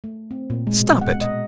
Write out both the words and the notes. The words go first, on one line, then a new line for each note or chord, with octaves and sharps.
Stop it!
A3
C4
A#2
G#3
B2
F#5
D#5